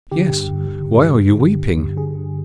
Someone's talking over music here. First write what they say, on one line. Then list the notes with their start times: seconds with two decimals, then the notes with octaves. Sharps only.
'Yes, why are you weeping?'
0.12 D3 G4
0.30 G2
0.48 G2
0.67 D3
0.86 G2
1.04 G2
1.23 D3
1.41 D3
1.60 G2
1.78 G2
1.97 D3 G#4
2.16 G2